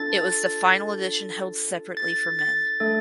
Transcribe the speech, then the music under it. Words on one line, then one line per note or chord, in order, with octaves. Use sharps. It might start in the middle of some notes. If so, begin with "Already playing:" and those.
It was the final edition held separately for men.
Already playing: D4 F4 A4 A6
A6
A6
A3 D4 A4 A6